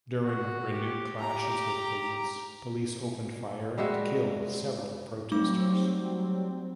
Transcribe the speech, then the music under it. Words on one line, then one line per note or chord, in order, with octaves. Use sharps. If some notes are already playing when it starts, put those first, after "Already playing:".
During renewed clashes with police, police opened fire and killed several protesters.
F#4
G4
G4 A#5
G3 G#3 F#4 E5
F#3 G3 A3 C4 D#4 D6